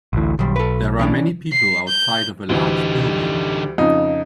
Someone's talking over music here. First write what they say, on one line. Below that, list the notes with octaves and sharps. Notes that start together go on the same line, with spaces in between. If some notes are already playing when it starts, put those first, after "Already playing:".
There are many people outside of a large building.
A1 D2 A2
B1 D#3 G3
A4 B4
E3 C#4 D4
C7
G6
D2 D3 E3 G3 D#4
F2 C#3 D#4